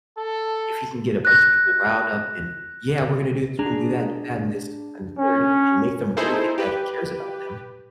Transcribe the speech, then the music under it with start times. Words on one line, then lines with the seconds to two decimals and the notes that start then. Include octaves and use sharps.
if he can get a bunch of people riled up and, "Yeah, we're gonna do this, we're gonna do that, do that and this and third," and make them really think that he cares about them,
0.18 A4
1.25 F#6 A#6
3.59 D4 G#4 A#5
5.18 C#4
6.17 D#4 E4 G#4 A4 C5
6.58 G4 B4